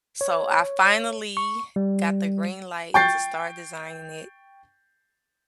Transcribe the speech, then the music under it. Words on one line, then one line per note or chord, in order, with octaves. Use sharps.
so I finally got the green light to start designing it.
C#5
C#6
G3
G5 C#6 G6 A6 C7